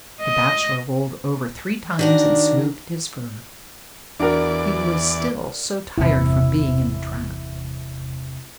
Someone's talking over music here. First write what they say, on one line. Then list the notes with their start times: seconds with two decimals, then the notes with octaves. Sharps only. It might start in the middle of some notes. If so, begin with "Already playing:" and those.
The Bachelor rolled over three times and smoothed his fur; he was still so tired from being in the trap.
0.22 D#5
1.99 D#3 D4 F#4 A#4
4.20 E2 D4 F#4 A#4 D5
5.98 G1 E2 C3 E4